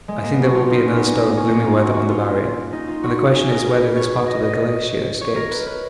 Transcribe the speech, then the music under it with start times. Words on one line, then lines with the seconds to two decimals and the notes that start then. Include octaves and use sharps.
I think there will be another spell of gloomy weather on the Barrier, and the question is whether this part of the glacier escapes.
0.08 G#3
0.23 A#3
0.34 B3
0.44 F#4
0.55 F4
0.71 D#4
0.85 C#4
0.96 B3
1.06 A#3
1.17 A#3
1.37 C#4
1.48 D#4
1.64 F4
1.78 F#4
1.94 F#4
2.09 F4
2.73 D#4
2.88 F4
3.03 F#4
3.34 G#4
3.50 A#4
3.66 A#4
3.81 B4
3.97 C#5
4.28 D#5
4.43 D#5
5.21 C#5
5.36 A#4
5.51 B4
5.67 B4